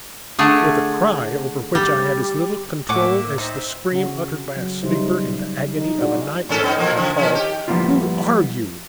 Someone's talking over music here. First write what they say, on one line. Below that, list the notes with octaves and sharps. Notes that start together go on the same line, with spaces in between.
With a cry, over which I had as little control as the scream uttered by a sleeper in the agony of a nightmare, I called: "Who are you?"
D3 A3 G#4
G3
A2 A#3 E5 F#5 G#5 C#6 D6
C4 D#4 C5 E5
C#3 C#4 F#4
F#3
C#3 F#3 G3 D#4 E4 C5
D#4
D4 D#4 F4 F#4 G#4
G#2 C#4 A4
B3 D#4
A#2 F3 A#3
C#3 F3
D#3 F3 C#4
G4
F3 G3 A#3 B3 E4 F4